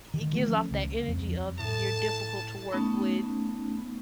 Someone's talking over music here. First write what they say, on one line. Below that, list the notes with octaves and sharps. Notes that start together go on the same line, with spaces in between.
it gives off that energy of you're difficult to work with,
D#3
F3 A3
C#4
C#2
F2
A2 A5
A3 B3 C#4 D#4